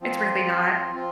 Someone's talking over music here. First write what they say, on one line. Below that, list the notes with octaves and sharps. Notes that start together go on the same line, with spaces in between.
It's really not.
F3 C4 F4
F3 C4 F4